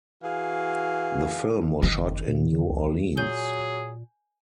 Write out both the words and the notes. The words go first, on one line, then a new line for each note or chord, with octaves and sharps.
The film was shot in New Orleans.
E3 F#4 G#4 F5
F#1 D#3
A#2
D3
C#2
A#2 F#3 G#4 G#5 G6 G7